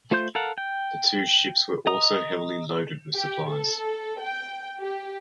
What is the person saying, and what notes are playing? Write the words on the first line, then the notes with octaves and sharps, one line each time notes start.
The two ships were also heavily loaded with supplies.
A3 F4 C5 C6 G6
A4 A#4 F5 F#5
G5
D#5 A#5 D#6
G4
A4
G5
G4